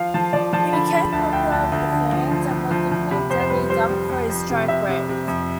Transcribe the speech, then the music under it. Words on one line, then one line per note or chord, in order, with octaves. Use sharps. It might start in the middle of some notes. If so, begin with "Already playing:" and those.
He became popular with the fans and was nicknamed 'Deadly Dunc' for his strike-rate.
Already playing: F3 F5
F3 A5
F3 D5
F3 A5
D3 B5
A5
D3 B5
D2 A5
D2 G5
D2 A5
D2
D3
F3
F3
F3
F3
F3
C3 B5
F2 C5
C5
G3 B4
G3 C5
G3
F2
F2
C3
C3 E5
C3
C3
F2